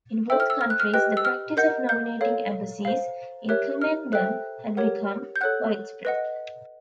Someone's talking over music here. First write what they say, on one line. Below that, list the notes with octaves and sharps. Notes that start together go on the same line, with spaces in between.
In both countries, the practice of nominating abbacies "in commendam" had become widespread.
A4 C5 E5 G5 E6
F6
E6
F6
F#6
F6
G4 B4 D#5 G5 F#6
E6
F6
A#4 D#5 F#5 G6
G6
A4 C#5 F5
C5 F5
G4 A#4 C#5 E5 F#6
F6
A4 C5 E5 G5 F#6
G4 A#4 C#5 F#5
G6
A4 C#5 F#5 F#6
B4 D#5 F#5